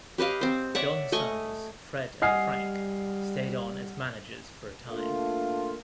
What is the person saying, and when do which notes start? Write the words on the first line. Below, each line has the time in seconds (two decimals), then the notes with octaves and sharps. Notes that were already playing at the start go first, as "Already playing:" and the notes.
John's sons, Fred and Frank stayed on as managers for a time.
0.18 G4 B4 D#5 F5
0.41 C4 C5
0.75 C#5 D5 E5 F#5
1.12 A3 D#5 G#5 C#6
2.22 G3 D#5 F#5 G#5 F6 C7
4.89 A3 A#3 D4 F4